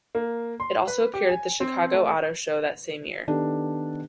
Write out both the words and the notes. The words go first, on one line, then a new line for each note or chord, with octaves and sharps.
It also appeared at the Chicago Auto Show that same year.
A#3
C6
B4
G4
G#5
C4
A3
D#3 B3 D4 G4 A4